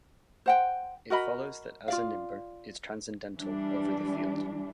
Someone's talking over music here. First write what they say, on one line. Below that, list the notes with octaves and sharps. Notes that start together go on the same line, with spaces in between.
It follows that as a nimber, is transcendental over the field.
C5 F#5 G5
F#4 A#4 D#5 B5
F4 D5 F5
E3 G3 D4